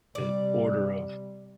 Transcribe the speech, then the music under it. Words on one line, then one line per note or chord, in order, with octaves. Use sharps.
the order of
C3 G3 D5